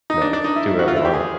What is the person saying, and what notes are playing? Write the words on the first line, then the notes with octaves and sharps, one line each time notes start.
you know, do whatever you want.
D#4
D4
D4
D#4
E4
E4
F#4
F4
E4
G4
G#4